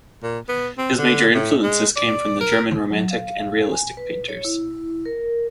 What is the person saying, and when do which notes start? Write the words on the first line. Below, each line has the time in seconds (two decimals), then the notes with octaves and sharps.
His major influences came from the German Romantic and Realistic painters.
0.23 A#2
0.49 B3
0.78 C4
0.98 D3
1.34 A2
1.63 G#3
1.96 D5
2.40 A#4
2.90 F#3
3.11 F5
3.71 G#5
3.97 B4
4.28 C#5
4.45 E4
5.06 A#4